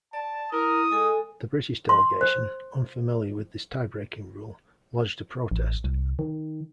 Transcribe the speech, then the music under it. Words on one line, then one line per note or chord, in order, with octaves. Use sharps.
The British delegation, unfamiliar with this tie-breaking rule, lodged a protest.
D5 A5
E4 A#4 D#6
G#3 A4 G#5
C6
C5
A1
C2
D#3